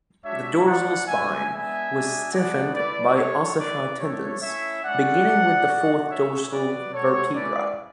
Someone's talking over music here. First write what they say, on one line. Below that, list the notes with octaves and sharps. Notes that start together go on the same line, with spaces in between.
The dorsal spine was stiffened by ossified tendons, beginning with the fourth dorsal vertebra.
G#3 D4 F#4 C#5 E5
A3 E4 D5 F#5
A3 D4 F#4 E5 G#5
G#3 B3 D4 E5 G#5
G#3 B3 D4 F#4
G#3 B3 D4 F#4 D5 F#5
A3 E4 B4 D5
B3 D4 F#4 A4 C#5
A3 E4 B4 D5
A3 D4 F#4 A4 C#5
A3 C#4 E4 C#5 E5
G#3 C#4 E4 D5 F#5
G#3 B3 D4
B3 F#4
A3 C#4 F#4 C#5 E5
B3 F#4 B4 D5
G#3 C#4 F#4 A4 C#5
G#3 C#4 E4 B4 D5